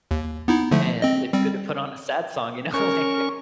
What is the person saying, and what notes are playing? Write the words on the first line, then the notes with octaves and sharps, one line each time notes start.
And it's good to put on a sad song, you know? Like
D#2
B3 D#4 E4
D3 F3 A3
C4 D#5
G3 C4
C#4 A#4 C#6